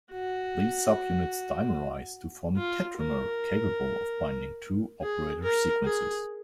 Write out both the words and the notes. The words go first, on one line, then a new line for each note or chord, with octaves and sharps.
These subunits dimerize to form a tetramer capable of binding two operator sequences.
F#4
F4
A#4
G#4
A#4
G#4